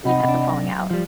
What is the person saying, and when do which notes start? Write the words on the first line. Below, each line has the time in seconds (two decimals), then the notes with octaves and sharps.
You've had some falling out.
0.05 C3 D#4 D#5 F#5 B5
0.24 C3 D4
0.49 F#3
0.90 F3 G3